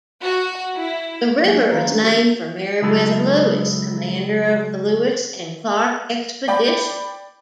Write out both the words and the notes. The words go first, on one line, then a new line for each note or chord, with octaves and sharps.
The river is named for Meriwether Lewis, commander of the Lewis and Clark Expedition.
F#4
E4
F#3 G#3 A#3 G4
F#4 B4
D#3 C#4 F5 B5
E3 G3 A3 C#4 D4
F#4 G4 A4
C#3 F#3 G#3 D#4 E4 A4
D5 G5 B5 D6